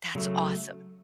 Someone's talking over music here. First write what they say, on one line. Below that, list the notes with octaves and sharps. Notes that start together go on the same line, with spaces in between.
That's awesome.
C#3 F#3 A3